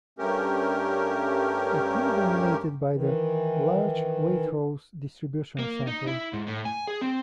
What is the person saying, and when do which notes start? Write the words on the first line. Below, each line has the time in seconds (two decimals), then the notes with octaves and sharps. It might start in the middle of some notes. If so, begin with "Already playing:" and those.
It is dominated by the large Waitrose distribution centre.
0.19 G2 A3 C#4 G4 A#4
2.92 D#3 E3
5.59 A#3
5.87 D#4
6.07 E4
6.33 G#2
6.47 A2
6.65 G#5
6.88 G#4
7.01 C4